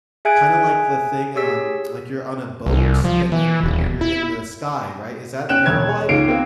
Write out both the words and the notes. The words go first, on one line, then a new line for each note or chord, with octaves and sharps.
kinda, like, the thing, um like, you're on a boat, and then you're you're in the sky, right? Is that paragliding?
G#4 E5 G#5 F#6 G#6 D7
G4 G#4 C#5 E6 B6
C2
F3
E3
D#1
E4
C#4 G5 F#6 E7
E1 C#5 G#6
C#5
C#2 A#3 D#4 C7 D7
A#3 C4